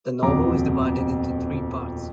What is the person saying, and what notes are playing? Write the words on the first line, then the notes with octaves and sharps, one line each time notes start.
The novel is divided into three parts.
D#1 F2 B2 A#5 D6